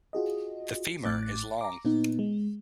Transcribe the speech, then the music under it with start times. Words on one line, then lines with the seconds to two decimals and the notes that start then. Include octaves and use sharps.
The femur is long.
0.13 F4 F#4 G#4 D#5
1.05 A1 A2 D6 F#6 A6
1.61 A#5 D6
1.85 A#2 B3 D#4
2.19 G#3